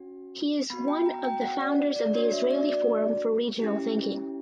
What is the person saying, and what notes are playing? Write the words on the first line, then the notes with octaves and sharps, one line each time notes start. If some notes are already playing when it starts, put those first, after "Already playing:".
He is one of the founders of the Israeli Forum for Regional Thinking.
Already playing: C#4 F#4
B3 F#4 B5
G5
A#5
G5
F#5
D5
D5
A#3 D4 F#4 C#5
E5
D5
D5
C#4 E4 G4